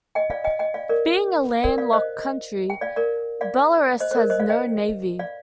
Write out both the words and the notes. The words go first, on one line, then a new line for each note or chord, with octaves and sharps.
Being a landlocked country, Belarus has no navy.
D#5 G5
D5 F5
D#5 G5
D#5 G5
D5 F5
A#4 D5
A#4 D5
D5 F5
C5 D#5
G5
D5 F5
A#4 D5
D5 F5
C5 D#5
C5
A#4 D5
C5 D#5
D5 F5
D#5 G5
D5 F5